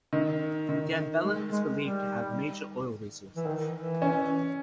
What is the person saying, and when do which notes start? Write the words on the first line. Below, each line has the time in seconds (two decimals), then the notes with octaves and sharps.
Gambela is believed to have major oil resources.
0.13 D#3
0.69 D#3
1.24 G#3
1.52 G#3
1.80 G3
3.37 E3
3.46 D#3
3.74 E3
4.02 C#4